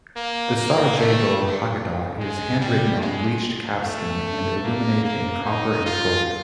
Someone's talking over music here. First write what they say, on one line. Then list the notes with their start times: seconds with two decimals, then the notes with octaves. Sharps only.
The Sarajevo Haggadah is handwritten on bleached calfskin and illuminated in copper and gold.
0.16 A#3
0.57 A#3
0.97 A3
2.20 G#3
2.60 G3
3.01 G#3
3.82 A3
4.64 A#3
5.04 A#3
5.45 D#4
5.86 F4